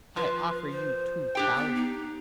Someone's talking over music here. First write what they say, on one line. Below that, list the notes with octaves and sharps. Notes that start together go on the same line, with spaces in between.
"I offer you two thousand."
F3 B4
C5
D4 G4 G5
B3
D#4